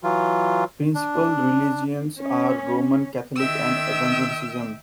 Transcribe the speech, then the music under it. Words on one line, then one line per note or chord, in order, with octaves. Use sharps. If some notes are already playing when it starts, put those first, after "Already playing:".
Principal religions are Roman Catholic and Evangelicalism.
E3 F#3 F4
D4
C#4
D#3 E5 G5 E6